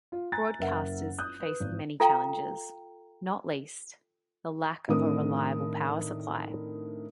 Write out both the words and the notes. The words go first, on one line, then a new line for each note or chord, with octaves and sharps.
Broadcasters face many challenges, not least the lack of a reliable power supply.
F4
G#5 A#5 F#6 A6
F#1 A#4 E5 F#5
D#6 F#6 G6
B4
G#1
F4 A4 F5 G5 A#5
A2 D#3 C4 D4 A#4 D#6